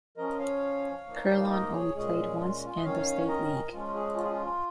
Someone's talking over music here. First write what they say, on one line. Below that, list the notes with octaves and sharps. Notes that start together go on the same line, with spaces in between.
Kerlon only played once in the state league.
F3 C#4 A#4 D#5
C#5 F5
F3 A#3 D#4
F5
A#4 D#5
G#4 C#5
A#2 G#3 C#4 G#4
F4
F4
D#5
D#3 C#4 C#5 F5
A#4 D#5
F3 G#3 C#4 F4
G#4
F4
G#4
F4